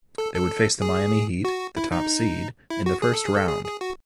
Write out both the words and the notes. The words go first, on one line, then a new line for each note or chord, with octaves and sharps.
They would face the Miami Heat, the top seed, in the first round.
A4
A4
G#4
F#4
E4
D#4
E4
F#4
G#4
A4
G#4
A4
G#4
G#4
F#4